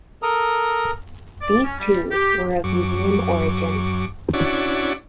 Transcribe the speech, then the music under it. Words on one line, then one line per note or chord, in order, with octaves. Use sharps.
These too, were of museum origin.
A4 A#4 A#5 D#6
D5
C#4
G3
G4
F#2 C#6 D6
C#4 D4 E4 F#4 C#5 D5